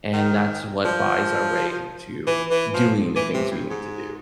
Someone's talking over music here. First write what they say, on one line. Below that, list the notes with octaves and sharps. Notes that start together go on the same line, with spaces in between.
and that's what buys our way into doing the things we need to do,
D#3
F3
E3
E3
F3
E3
C3
G2
G#2